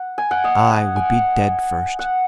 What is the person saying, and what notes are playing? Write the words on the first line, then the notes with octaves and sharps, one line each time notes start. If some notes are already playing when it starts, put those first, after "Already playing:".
I would be dead first!
Already playing: F#5
G#5
F#5
D#5
F#5
G#5
F#5